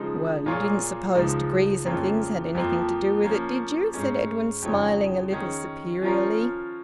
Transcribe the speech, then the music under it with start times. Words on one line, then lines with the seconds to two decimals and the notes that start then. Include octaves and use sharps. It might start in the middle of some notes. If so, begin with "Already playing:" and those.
"Well, you didn't suppose degrees and things had anything to do with it, did you?" said Edwin, smiling a little superiorly.
Already playing: C#3 F3 G#3 D#4
0.46 A#2 A#3 F4 G#4 C#5
1.15 C#2 C#3 F3 G#3 D#4
1.85 F2 C#3 A#3 F4 C#5
2.55 F2 F3 A#3
3.24 F3 A#3 C#4
3.94 G#2 G#3 C#4
4.62 F2 C#3 G#3 D#4 C#5
5.32 D#3 C#4 G#4
6.01 F3 C#4 F4 A#4 C#5